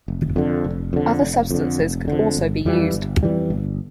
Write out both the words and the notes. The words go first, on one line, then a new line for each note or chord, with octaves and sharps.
Other substances could also be used.
F1
F2 D3
F1
F2 D3
F1
F2 D3
F1
F2 D3
G1
F2 E3 G3
G1
F2 E3 G3
G1